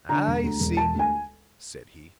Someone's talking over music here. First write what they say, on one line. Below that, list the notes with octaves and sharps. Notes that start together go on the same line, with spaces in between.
"I see," said he.
D3 A#5
E1
D2
E1
E1 A5
D2 G#5